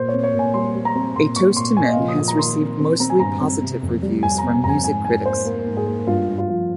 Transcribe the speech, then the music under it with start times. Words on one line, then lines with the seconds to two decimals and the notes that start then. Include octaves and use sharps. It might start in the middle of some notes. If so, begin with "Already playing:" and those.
"A Toast to Men" has received mostly positive reviews from music critics.
Already playing: A#2 C5
0.09 C4 C#5
0.23 C#5
0.34 A#2
0.39 G#5
0.54 G3 C6
0.76 G3
0.85 A#5
0.95 C4
1.16 A#2 C6
1.36 A#2 C#6
1.57 A#2 C6
1.77 A#2 G#5
1.88 D#5
1.93 F3 F5
2.08 D#6
2.18 A#2
2.28 A#5
2.39 D#3 C6
2.59 C4
2.79 C4
3.00 C4 A#5
3.10 G#5
3.20 G2 A#5
3.41 C4
3.62 C3
3.83 F2
4.03 G3
4.23 F2 G#5
4.38 A#5
4.43 C3
4.54 G#5
4.64 F2 A#5
4.69 G#5
4.84 G#2 G#5
5.05 G#2 G#5
5.26 A#3 C5
5.45 A#3
5.66 G#2
5.77 G#4
5.86 A#3
6.07 G2 F4
6.27 G2
6.38 F4
6.48 F3